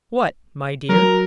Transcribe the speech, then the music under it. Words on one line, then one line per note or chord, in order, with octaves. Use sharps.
"What, my dear?"
F#3 A#4